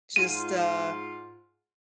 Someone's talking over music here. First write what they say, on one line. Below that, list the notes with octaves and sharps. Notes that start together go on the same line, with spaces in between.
just, uh
G#2 F4 D#7